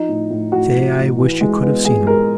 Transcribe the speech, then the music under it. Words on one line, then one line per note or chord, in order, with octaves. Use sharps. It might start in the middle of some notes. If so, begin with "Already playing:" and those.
Say, I wish you could have seen him.
Already playing: F3 D#4
A2
A2
A2 F#4
F3
A2
E3
G#3
B3
G#3 G#4
G#3 A#4